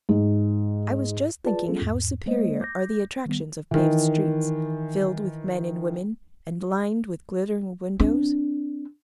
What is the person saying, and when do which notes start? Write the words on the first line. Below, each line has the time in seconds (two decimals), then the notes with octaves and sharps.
I was just thinking how superior are the attractions of paved streets, filled with men and women, and lined with glittering windows.
0.09 G#2
1.44 F4 G#4 B4 D5 A5
1.66 G3 B3 C#4 F4 G#4 A4
1.82 E2 G#2
2.26 G#3 A#3 C5 D#5
2.61 D6 G6 A#6
3.26 D#3 G3 B3
3.71 D#3 E3
8.00 C4 D4